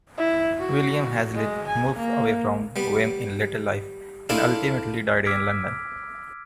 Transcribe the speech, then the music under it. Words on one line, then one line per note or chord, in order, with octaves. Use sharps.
William Hazlitt moved away from Wem in later life and ultimately died in London.
E4
F#4
G#3
G#5
A#3
G3 B3
D4 E4 F4 G#4 A4 D5
D6 E6 F6 G#6 B6 D7